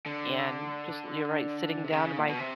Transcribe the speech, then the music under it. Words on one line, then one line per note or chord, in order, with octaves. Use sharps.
And just you're right sitting down my
D3
C3
C#3
A#2
B2
C3